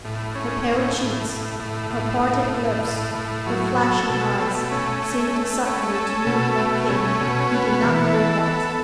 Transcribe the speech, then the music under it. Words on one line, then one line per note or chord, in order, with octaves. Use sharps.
Her pale cheeks, her parted lips, her flashing eyes, seemed suddenly to mean one thing--he did not know what.
A2
C#4
A2
A2
A2
A2
A2
A2
A2
A2
A2
F#3
A4
B2
A3
C#4
A3
A3
C#4
A4
B2
A3
C#4
B2
B3
E3
A4
B3